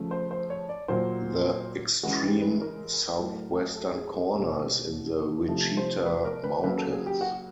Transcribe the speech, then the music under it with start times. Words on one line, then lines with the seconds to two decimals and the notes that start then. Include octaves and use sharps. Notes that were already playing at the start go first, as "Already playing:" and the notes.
The extreme southwestern corner is in the Wichita Mountains.
Already playing: C#3 F3 A3
0.11 C5
0.31 C5
0.50 C#5
0.69 D5
0.88 A#2 F#3 A#3 C5
2.03 C#3 E3 G#3 F#4
2.23 G4
2.41 B4
2.61 A#4
3.19 A2 F#3 A3
3.76 A4
3.95 G#4
4.14 G#4
4.33 B2 G3 A#3 A4
5.48 C3 F3 A3
5.77 C5
6.06 B4
6.25 A#4
6.44 B4
6.64 C#3 F#3 A#3 B4
6.78 A4
6.92 G#4
7.06 G4
7.21 F#4